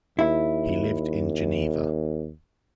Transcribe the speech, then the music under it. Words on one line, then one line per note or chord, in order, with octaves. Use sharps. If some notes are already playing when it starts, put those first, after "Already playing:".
He lived in Geneva.
D#2 E4